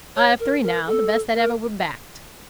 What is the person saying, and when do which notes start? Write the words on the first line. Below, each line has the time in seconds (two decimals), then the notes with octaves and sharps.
I have three now, the best that ever were backed.
0.16 C#5
0.40 A#4
0.63 A#4
0.87 A4
1.34 A#4